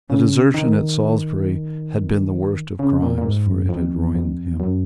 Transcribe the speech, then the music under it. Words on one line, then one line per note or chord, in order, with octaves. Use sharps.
The desertion at Salisbury had been the worst of crimes; for it had ruined him.
C#3
D#3
C#3
A#2
A#2
G#2
F#2
F2
F2
F#2